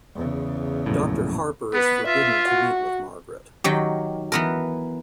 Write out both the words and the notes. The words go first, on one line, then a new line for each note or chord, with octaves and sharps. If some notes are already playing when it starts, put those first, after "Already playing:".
Doctor Harper is forbidden to meet with Margaret.
E2 C#3
A#1 F#2 A2
B3 B4
F4 E5
F#4
D#3 F#3 G4
E3 B3 A#4